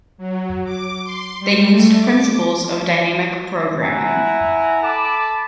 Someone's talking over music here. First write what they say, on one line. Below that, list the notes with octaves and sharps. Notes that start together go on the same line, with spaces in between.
They used principles of dynamic programming.
F#3
D6
C6
G3
A3
D6
E4 E5 F#5 G#5 A#5
A4 A5 B5 D6